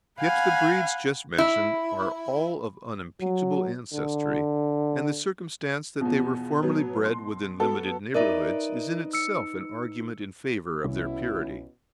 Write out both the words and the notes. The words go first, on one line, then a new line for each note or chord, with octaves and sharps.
Yet the breeds just mentioned are all of unimpeachable ancestry, and the circumstance that they were formerly bred within limited neighbourhoods is in itself an argument in favour of their purity.
F5 F#5 G#5 B5
E4
F#3
D3
E2 B2 F3
F#3 B3
C6
B3 F#4 A4
D#4 A#4 B4 D5 E5
E6 C#7
C2 B2 C#4 E4